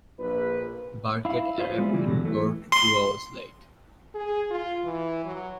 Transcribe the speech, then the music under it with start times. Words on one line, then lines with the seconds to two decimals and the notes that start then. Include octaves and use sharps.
Birkett arrived in court two hours late.
0.19 A#1 F3 B4
1.25 E4 F5
1.58 F4 B4 C5 F5
1.78 G3 G#3 B3 E4 F4 G#4
1.93 C#3 E3 G3 G#3
2.06 E2 B2 D3 D#3 F#3
2.25 E3 A3
2.72 C6
4.15 G#4
4.51 F4
4.84 E3
5.25 F#3